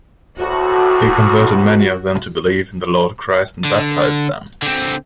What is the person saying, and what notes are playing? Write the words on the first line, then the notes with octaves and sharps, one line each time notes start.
He converted many of them to believe in the Lord Christ and baptized them.
D2 A2 F#4
D3
D3 C4